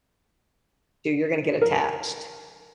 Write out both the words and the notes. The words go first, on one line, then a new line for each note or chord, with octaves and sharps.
you you're gonna get attached.
A#4